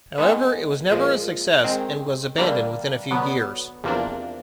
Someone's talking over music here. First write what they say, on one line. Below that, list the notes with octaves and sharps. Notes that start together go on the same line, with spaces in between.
However, it was never a success, and was abandoned within a few years.
D#3 G#3 B3
A#2 F3 G#3
D#3 G#3 C4
D3 G3 A#3 D4
D3 F#3 B3
E2 C3 F3 A#3 D4